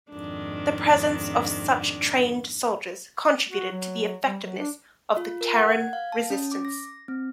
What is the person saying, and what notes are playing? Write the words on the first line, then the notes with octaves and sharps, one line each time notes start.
The presence of such trained soldiers contributed to the effectiveness of the Karen resistance.
F2 G#2 D#3 D4
F#4
F#3
G3
F#3
D4
F4
A#4
F#5
G#6
F5
A5
C#4
D6
A#6
C4